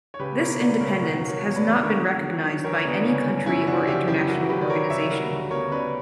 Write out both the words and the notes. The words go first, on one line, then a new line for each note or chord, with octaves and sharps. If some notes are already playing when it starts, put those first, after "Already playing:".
This independence has not been recognized by any country or international organization.
C#5
C#2 G4 B4
B2 A#4 C#5
A#3 B4 D5
C#2 A#4 C#5
B2 F#4 A#4
B2
A#4 C#5
E2
C#5
B4 D5
E2
D3 A#4 C#5
D3
F#3
D3
E3 A#4 C#5
G1 B3 D4
C#3 C#4
G1 C#4
F#1 C#4 E4
D3 D4 F#4
F#1 E4 G4
F#2 E4 G4
C#2 F#4 A#4
F#3 G4 B4
D5
F#3 A#4 C#5
C#2 C#5 E5
G3 F#4 A#4
D2
B3 A#4 C#5
C#3 B4 D5